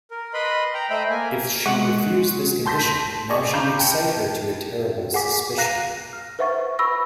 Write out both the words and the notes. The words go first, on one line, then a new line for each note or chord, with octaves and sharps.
If she refused this condition now she would excite her to a terrible suspicion.
A#4
B4 D#5 B5 C6
G5 A#5
A3 C5 D#5 E5 G5 B5
A#3 G#5
G#3 F#5 C#6
A5 C6 G6 A#6 B6
G#4 D5 D#5 C#6
F5 A#5 B5 D6 G6 E7
G5 A5 G6 C#7
G#4 F#5 G#5 D6 B6
F5 A#5 F#6 A#6 C7
F6
B4 C5 E5 F#5 C#6 A6
B4 B5 C#6 E6 A#6